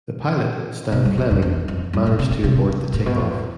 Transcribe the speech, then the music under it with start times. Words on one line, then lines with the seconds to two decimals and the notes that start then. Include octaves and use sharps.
The pilot, Stan Fleming, managed to abort the take-off.
0.92 B2
1.05 G2
1.18 F2
1.31 F2
1.42 E2
1.68 F2
1.93 G2
2.06 A2
2.19 C3
2.31 D3
2.44 C3
2.94 A2
3.06 B2
3.18 A2